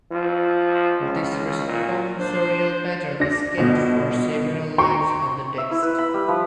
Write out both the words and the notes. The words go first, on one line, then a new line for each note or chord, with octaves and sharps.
This responsorial pattern is kept for several lines of the text.
F3
C#2
A#2
D4 C5
D4 A#6
G1 B2
G5 A#5 C6 C#6
E5
E4
B4
B5
G3
F3